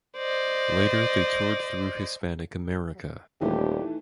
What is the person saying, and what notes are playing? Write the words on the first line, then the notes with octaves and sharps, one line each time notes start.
Later they toured through Hispanic America.
C5 D5 D#5
D#1 D#3 E3 A3 D4 G4